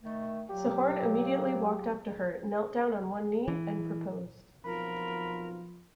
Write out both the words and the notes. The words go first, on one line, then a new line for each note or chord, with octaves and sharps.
Sehorn immediately walked up to her, knelt down on one knee and proposed.
D#3 A3
A#2 F#3 G4
E3
B1 F3 C4 F4 A#4 B5